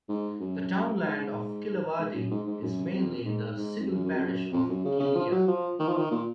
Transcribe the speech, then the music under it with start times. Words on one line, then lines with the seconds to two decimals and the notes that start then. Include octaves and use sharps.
The townland of Killawardy is mainly in the civil parish of Killea.
0.08 G#2
0.40 F#2
1.04 G#2
1.98 G#2
2.14 F#2
2.30 G#2
2.47 G#2
2.62 F#2
2.94 F2
3.25 G#2
3.57 G#2
3.80 F2
3.89 F#2
4.04 F#2
4.13 F2
4.21 F#2
4.52 F2
4.68 F#2
4.85 C#3
5.00 C#3
5.15 F3
5.32 F#3
5.48 F3
5.79 D#3
5.88 F3
5.97 D#3
6.11 A#2